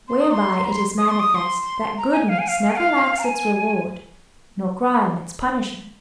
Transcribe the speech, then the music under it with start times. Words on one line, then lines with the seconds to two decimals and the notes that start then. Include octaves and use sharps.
Whereby it is manifest that goodness never lacks its reward, nor crime its punishment.
0.08 C6
0.21 D#6
0.33 C6
0.65 A#5
0.72 C6
0.98 D#6
1.09 C6
1.20 D#6
1.35 C6
1.98 A#5
2.13 G#5
2.29 F5
2.39 G#5
2.48 F5
2.61 F5
2.70 G#5
2.76 F5
3.18 A#5
3.24 G#5